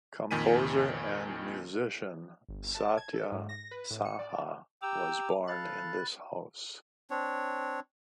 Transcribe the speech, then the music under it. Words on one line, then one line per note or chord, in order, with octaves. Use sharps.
Composer and Musician Satya Saha was born in this house.
F2 A#2 D#3 G#5 B6 D#7
G1
A5
G#6
A4
G#2
A#6
B4
A2
C#7
D5
G4 G5 A#5 D6 E6
A4 F5 B5 F#6 A6
C4 D4 C#5